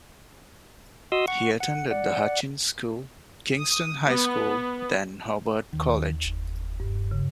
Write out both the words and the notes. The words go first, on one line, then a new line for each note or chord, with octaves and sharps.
He attended the Hutchins School, Kingston High School, then Hobart College.
F#4 D#5 C6 D#6 E6
F#5 C#6
F#5
D5 F#5
D#6
B3
D#2 D#3
F1
G2
C#3